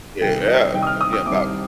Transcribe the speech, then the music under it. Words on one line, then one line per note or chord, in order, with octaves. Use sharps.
Yeah, yeah. Yeah, about
C2 C3 D#3 G3 G5
D#5
C2 C3 D#3 G3 G5
D#6
F6
D#6
D#6
C2 C3 D#3 G3 D6